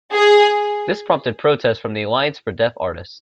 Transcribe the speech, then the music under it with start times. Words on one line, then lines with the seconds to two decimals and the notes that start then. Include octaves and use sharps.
This prompted protests from the Alliance for Deaf Artists.
0.13 G#4